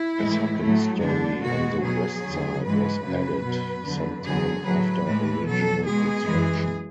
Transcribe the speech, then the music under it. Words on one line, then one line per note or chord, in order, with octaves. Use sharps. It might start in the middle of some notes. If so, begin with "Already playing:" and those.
A second story on the west side was added some time after original construction.
Already playing: E4
A2 E3 G#3
A2 F#3 A3
F#2 D3 G#3 D4
B2 G#3 F#4
B2 F#3 G#4
E2 D3 F#3
G#2 E3 G#3 B4
F#2 C#3 F#3
B2 F#3
E2 D3 F#3
F#2 D3 F#3 G#4
A2 F#3 B4
A2 E3 G#3
B2 F#3 A4
B2 G#3 G#4
F#2 E3 G#3